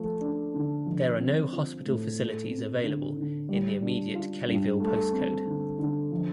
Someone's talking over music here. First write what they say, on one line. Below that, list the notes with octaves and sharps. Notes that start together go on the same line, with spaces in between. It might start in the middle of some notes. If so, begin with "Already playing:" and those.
There are no hospital facilities available in the immediate Kellyville postcode.
Already playing: F3 A3
D4
D3
F3
C4
F4
A2
A3
C4
D3
D3
G3
D4
F4
G2
A3
C4
D3
D3
F3